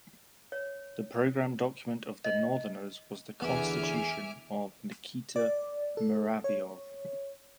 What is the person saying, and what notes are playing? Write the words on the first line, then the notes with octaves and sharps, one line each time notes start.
The program document of the "northerners" was the "Constitution" of Nikita Muravyov.
C#5
D#5
E2 D3 E3 B3 E5 G#5 D6 F6
D5
A4
C#5